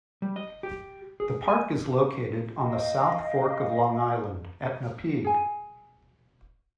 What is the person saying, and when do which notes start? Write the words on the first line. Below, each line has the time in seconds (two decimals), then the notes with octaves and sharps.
The park is located on the South Fork of Long Island at Napeague.
0.22 G3
0.36 D#5
0.63 G4
1.20 G#4
1.48 G#5
2.56 D#5 F5 G5
5.24 G#4 G#5